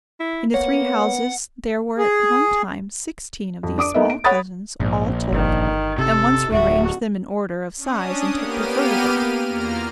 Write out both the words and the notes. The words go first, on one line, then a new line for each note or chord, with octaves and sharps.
In the three houses there were at one time sixteen of these small cousins, all told, and once we ranged them in order of size and took their photograph.
E4
A#3 B3 C#5 F#5
G#4
F2
D4 D6 D#6 D7
A#3 B3 D#4 A4 D#5 E5
D7
C#5 F#5 B5 D#6 A6
A#1 G#2
G1 D#3
C3 A4
D1 F#4 E5
C#4 D4 D#6
A#3 B3 G4 F6 D#7
E2 A#3 F4 A#5 F6